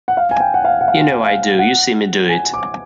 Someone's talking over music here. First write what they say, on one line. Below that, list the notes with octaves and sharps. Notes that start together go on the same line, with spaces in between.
You know I do; you see me do it.
F#5
F5
G#5
G5
F#5
F5
F#5
F5
F5
F#5
G#5
D6